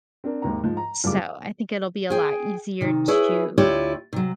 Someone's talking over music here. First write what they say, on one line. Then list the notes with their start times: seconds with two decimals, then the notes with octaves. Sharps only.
so I think it'll be a lot easier to
0.24 C4 D4 A#4
0.42 G#1 D#2 A#5
0.63 G#2 F3
0.77 A#5
1.04 F#1 G2 G3 F4 D6
2.10 G#4 G5
2.81 C3 D#3
3.08 E4 G#4 B4 C#5
3.58 D2 E4 F4 G4 C#5
4.13 C3 F#3